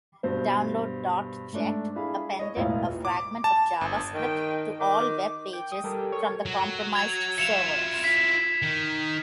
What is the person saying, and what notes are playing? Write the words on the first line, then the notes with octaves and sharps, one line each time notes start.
Download.ject appended a fragment of JavaScript to all web pages from the compromised servers.
G2 B2 C5
G#2 A3 D4
E4 G#4 F5 B5
C#5 D#5
E1 A1 A#2 E4 F5
D6
A5
G1
D#3 G5
D#3 D6
G5
D#6
G3 A4 A#4 G5
C#5
F#3
G#6 F7
E4 F4 C#7 E7 F7
B6
D#3